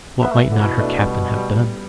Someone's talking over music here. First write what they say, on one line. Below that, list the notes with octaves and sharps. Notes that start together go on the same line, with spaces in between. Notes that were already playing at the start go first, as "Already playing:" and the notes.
What might not her Captain have done?
B3 B4 E5
A3
D3
B2 B3 E4
B3
A3 D4
D4
G3 B3
G3